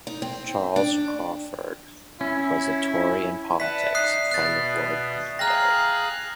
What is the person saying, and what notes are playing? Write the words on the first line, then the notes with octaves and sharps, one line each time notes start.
Charles Craufurd was a Tory in politics, friend of Lord Londonderry.
D#4
C4
D4
C#4 E4
B4 D5 E5 F#5 A5 B6
D#4 D#6 F#6 C7
B2 F#6 A6
G#4 F5 G5 A#5 F6 F#6 A#6